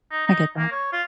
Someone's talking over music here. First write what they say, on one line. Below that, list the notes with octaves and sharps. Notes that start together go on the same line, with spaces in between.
I get that.
D#4
D#4
A#3
C#5
F4